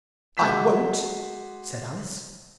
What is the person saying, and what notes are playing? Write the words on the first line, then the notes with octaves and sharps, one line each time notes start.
'I won't!' said Alice.
G#3 F#4 D6 G6 B6 E7